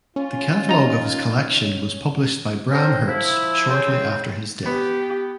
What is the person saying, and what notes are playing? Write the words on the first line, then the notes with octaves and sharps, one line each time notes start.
The catalog of his collection was published by Bram Hertz shortly after his death.
C#4 F4
D#4 A#5
A4 C5 C#5 F5 G5 A#5
F3 E4
C#3 C4
B3 G4